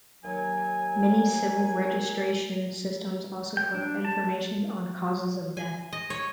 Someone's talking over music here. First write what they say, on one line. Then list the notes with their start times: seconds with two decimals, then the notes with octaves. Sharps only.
Many civil registration systems also collect information on causes of death.
0.23 D#2 F#3 G#5
3.57 G5
3.74 D4
4.05 A5
5.57 G#5
5.93 D#5
6.10 C#5